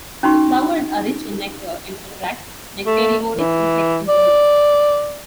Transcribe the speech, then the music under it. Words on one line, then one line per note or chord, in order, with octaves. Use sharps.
The flowers are rich in nectar and attract nectarivorous insects and birds.
C#4 D#4 F#4 B5 C#6
A3
E3
D5